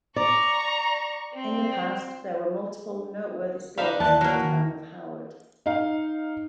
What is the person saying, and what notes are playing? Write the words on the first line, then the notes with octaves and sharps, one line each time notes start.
In the past there were multiple noteworthy schools in the town of Howard.
D5 A#5 C#6
C4
D4 D#4 E5 F5 B5
D#2 E3 A5 F#6
F#3 A#3
D#3
D#4 F5